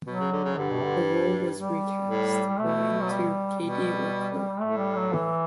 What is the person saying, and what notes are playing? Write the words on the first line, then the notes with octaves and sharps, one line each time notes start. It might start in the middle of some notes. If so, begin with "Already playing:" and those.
The role was recast, going to Katie Leclerc.
B2 F#3
C#3
D3
C#3
G2 D3
B2
D3
G3
A2
B2 A3
F#3
G3
B2 G3
A2 A3
G3
F#3
E3